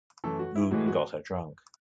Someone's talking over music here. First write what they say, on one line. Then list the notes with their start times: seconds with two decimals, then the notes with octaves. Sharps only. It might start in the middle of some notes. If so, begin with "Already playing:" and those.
Rhun got her drunk.
0.24 F#2 E3 A3 A4
0.39 F#4
0.56 E4
0.71 A2 E3 G#3 F#4
0.87 F#4